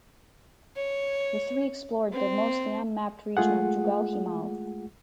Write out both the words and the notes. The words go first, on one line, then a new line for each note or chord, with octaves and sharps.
The three explored the mostly unmapped region of Jugal Himal.
C#5
C4
G#3 A3 F4 G#4 F#5